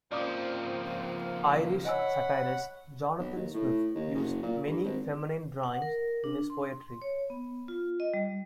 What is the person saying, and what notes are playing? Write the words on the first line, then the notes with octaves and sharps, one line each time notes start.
Irish satirist Jonathan Swift used many feminine rhymes in his poetry.
C#3 F3 A#3 C4 D5 D6 D#6
C#5 D#5 F#5 G#5 B5 E6
B1
D#2
A2
D#2
F#1
A#2
G2
G#1
F#5
A#4
D4
C6
C#5
B3
F4
D#5
G3